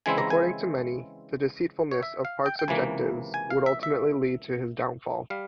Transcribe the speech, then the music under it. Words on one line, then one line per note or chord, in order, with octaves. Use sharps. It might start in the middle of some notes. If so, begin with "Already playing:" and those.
According to many, the deceitfulness of Park's objectives would ultimately lead to his downfall.
C#3 E3 G#3 C4 E4 G#5
A#5
G#5
C#5
E5
F5
G5
G5
C#2 C3 E3 A#3 G#5
G#5
F5
E5
E5
G3 F5